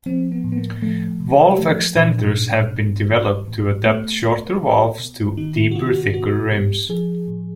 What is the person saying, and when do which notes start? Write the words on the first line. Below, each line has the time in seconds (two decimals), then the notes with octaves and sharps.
Valve extenders have been developed to adapt shorter valves to deeper, thicker, rims.
0.06 F3 C4
0.32 B3
0.44 A2
0.52 B3
0.57 A#3
0.82 F3 A3
1.20 C3
1.58 F3 A3
1.96 A#2 D4
2.34 B2
2.72 B2
3.10 E3
3.48 A2
3.86 B2 A3
4.24 B2
4.61 B2
5.00 B2
5.37 D#3 D#4
5.56 E4
5.71 F#4
5.75 C3 F4
5.86 F4
5.94 F#4
6.14 B2 F#4
6.51 B2 G4
6.89 F3 G#4
7.28 A2